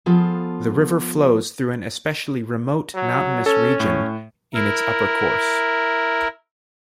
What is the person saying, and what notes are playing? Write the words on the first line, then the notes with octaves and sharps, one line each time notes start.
The river flows through an especially remote mountainous region in its upper course.
F3 B3 F4 G#4 A4
F#3
C#4 A4
A2
E4 A#4